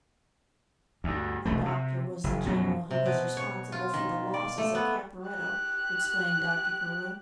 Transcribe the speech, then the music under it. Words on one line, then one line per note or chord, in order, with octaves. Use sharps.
"The doctor was the general who was responsible for the losses at Caperetto," explained Dr. Carew.
D2 G2
E1 C2 A3
C3
F#1
F#2 B2 E3 F#3
C3
B2
C#5
F4
D#3
D5
A3
B3
G4 F#6